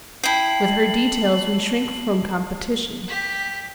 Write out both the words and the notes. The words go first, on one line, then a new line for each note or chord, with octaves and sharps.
With her details we shrink from competition.
E4 G5 A5 C7 F#7
G4 B6